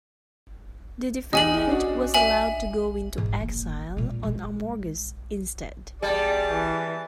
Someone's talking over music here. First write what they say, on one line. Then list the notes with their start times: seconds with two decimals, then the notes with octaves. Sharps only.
The defendant was allowed to go into exile on Amorgos instead.
1.33 E2 G4 D#5 G#5 D#6 F#7
1.67 C#4 D4 F#4
2.14 E5 G#5 F#7
3.18 G#2
3.40 A#3
3.97 A#2 G#3
4.23 G#3
6.02 E2 G3 G#4 D5 A5
6.50 E3